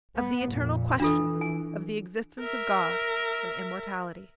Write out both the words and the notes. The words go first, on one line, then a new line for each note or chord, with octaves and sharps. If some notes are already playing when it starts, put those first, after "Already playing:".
Of the eternal questions, of the existence of God and immortality.
B3
F2 A#2
E3 D4 F4 A4
G#5
A#4 E5